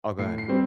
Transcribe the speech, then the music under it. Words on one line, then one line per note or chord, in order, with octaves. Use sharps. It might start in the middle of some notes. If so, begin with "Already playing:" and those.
Oh, go ahead.
A2 C7
C7
G3 C4